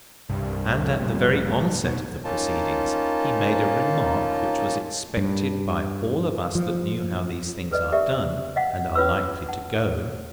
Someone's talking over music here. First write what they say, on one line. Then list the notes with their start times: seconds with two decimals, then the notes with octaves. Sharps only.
And at the very onset of the proceedings he made a remark which was expected by all of us that knew how these things are done and are likely to go.
0.30 C2 G2
0.79 F2
1.00 F1 A#2 G3
1.84 G#2 B2
2.24 A#3 C#4 D#4 F4 A5
5.17 G2
6.55 F3
7.71 A4 B4 D5 D#5
7.92 G4 A#4 D5 E5
8.56 D#5 F5 F#5
8.95 C#4 F4 B4 C#5 E6
9.48 F#5 A5